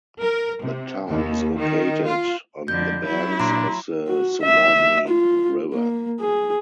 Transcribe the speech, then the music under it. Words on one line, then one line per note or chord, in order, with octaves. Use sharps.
The town is located on the banks of the Suwannee River.
A#4
C3
D#2
D#3
F4
F2 D3 G6
F#3 E4
A#2 D4 A#5 C6
F#4
E5
F4
A#3
G#4